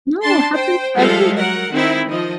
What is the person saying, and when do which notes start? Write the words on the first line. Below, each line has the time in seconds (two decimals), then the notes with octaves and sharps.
No, happens to everyone.
0.22 D4 A5 C6
0.54 C5 G5
0.96 F3 G3 G#3 A4 E5 F5
1.36 F#3 A#4 F#5
1.71 D#3 C4 D#4 E4
2.08 D#3 F3 D#5